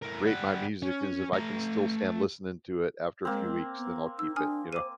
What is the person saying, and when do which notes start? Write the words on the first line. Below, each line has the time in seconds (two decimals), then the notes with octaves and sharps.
rate my music 'cause if I can still stand listening to it after a few weeks, then I'll keep it, you know?
0.02 A2 A#4
0.25 G3 F#5
0.83 C#4
1.33 A3 A#5
3.25 G#3 A#3 C4
3.77 B3
4.19 D#4 E6
4.36 D4 G#5 D#6 F6
4.73 C5 D6 D#7